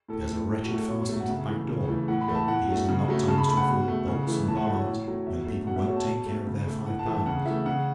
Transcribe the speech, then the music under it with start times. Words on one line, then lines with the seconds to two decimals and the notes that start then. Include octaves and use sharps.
There's a wretched fastening to the back-door; but these are not times to afford bolts and bars, when people won't take care of their five pounds.
0.09 A2 A4
0.30 A3
0.49 A2 A4
0.62 F#4
0.69 F#3 A3
0.76 A4
0.88 B2 C#5
1.09 F#3 A3
1.20 F#5
1.29 C#3 E5
1.48 E3 A3
1.68 C#3
1.88 E3 A3
2.08 A2 F#5
2.21 B5
2.28 E3 A3
2.35 A5
2.48 A2 F#5
2.68 F#3 A3
2.89 C#3
3.08 F#3 A3
3.28 C#3 A5
3.38 B5
3.48 A3 B5
3.57 F#5
3.68 B2
3.88 A3
4.07 C#3
4.27 E3 A3
4.48 A2 A5
4.57 F#5
4.67 A3 E5
4.72 F#3
4.77 C#5
4.88 A2
5.08 F#3 A3
5.27 B2 E5
5.46 F#3 A3
5.67 B2 F#5
5.76 E5
5.86 F#3 A3 C#5
5.96 A5
6.07 B2
6.26 A3
6.47 C#3
6.67 A3
6.86 A2 F#5
6.99 A5
7.06 E3 A3
7.13 A5
7.26 C#3 F#5
7.45 E3 A3 E5
7.66 C#3 F#5